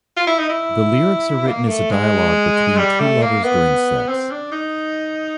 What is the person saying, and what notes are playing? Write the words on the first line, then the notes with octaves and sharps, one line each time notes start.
The lyrics are written as a dialogue between two lovers during sex.
F4
E4
D#4
E4
A#3
A3
G#3
G3
A3
A#3
B3
C4
D4
D#4